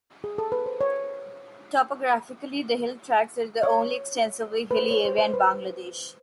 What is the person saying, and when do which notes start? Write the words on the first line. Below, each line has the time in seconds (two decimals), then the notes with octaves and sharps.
Topographically, the Hill Tracts are the only extensively hilly area in Bangladesh.
0.24 G#4
0.38 A4
0.52 B4
0.66 C5
0.81 C#5
3.63 C#5
4.71 B4
4.76 C5
4.91 C#5
5.05 C5
5.18 C5
5.34 B4